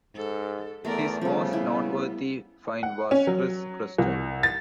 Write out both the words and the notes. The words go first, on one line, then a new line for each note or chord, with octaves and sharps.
His most noteworthy find was Chris Crutcher.
G#2 A4
E2 A3 B3 A#4 D5
C#3 F3 G3 B3 A4
E4
F#5
C#4
F#3
C2
A6